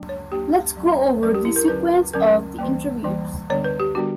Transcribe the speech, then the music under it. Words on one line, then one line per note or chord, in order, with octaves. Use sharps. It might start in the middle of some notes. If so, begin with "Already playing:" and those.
Let's go over the sequence of the interviews.
Already playing: F#3 A#3 D4
C#5
F#3 A#3 D4 G4
F#3 C#4
F#3 C#4 A#4
G4
E4
A#4
D3 F#3 C#4 B4
D3 F#3 C#4 A#4
E3 G3 A#3
E3 G3 A#3
D3 G3 B3 D4 C#5
B4
G4
D3 G3 B3 D4 F#4